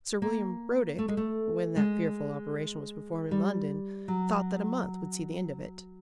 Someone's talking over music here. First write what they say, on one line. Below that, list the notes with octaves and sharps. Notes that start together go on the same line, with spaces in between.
Sir William Brodrick, when that fearful operation was performed in London, thought that a month would see the end of it.
A#3
A3
G#3
A3
G#3
G3
F#3